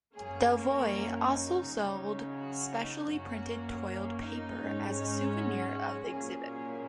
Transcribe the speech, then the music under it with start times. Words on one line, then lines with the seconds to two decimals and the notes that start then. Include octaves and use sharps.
Delvoye also sold specially printed toiled paper as a souvenir of the exhibit.
0.14 F#2 F#3 A#3 C#4 G#4
0.51 A#4
1.25 D#4
1.62 C#3 F#3 C#4
2.35 F#4
2.72 D#4
3.09 F#2 F#3 A#3 C#4 F#4
4.20 D#4
4.57 G#2 G#3 C#4
4.94 D#4
5.31 F#4
6.04 A#2 F#3 A#3 C#4 G#4
6.42 G#4